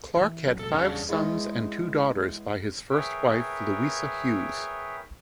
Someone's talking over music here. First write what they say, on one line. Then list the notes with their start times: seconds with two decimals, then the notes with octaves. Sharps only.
Clarke had five sons and two daughters by his first wife Louisa Hughes.
0.17 E3
0.45 D#1 F#3 C#4
0.59 B2 F#3 G#3 A4
0.73 E2 G3 C#4 D4 G#4
1.09 E2 G#3
2.91 G#4 A#4 B4 C#5 E5 G5